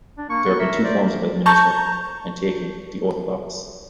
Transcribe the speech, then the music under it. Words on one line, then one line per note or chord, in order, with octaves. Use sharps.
There have been two forms of administering, and taking, the oath of office.
D4
A#3 C#6
B3
A#4 E5
C5 D5
A5 A#5 C#6 G6